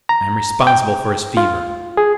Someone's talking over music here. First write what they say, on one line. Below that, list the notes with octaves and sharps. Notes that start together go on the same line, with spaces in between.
I am responsible for his fever.
A#5
G5
F4
G#4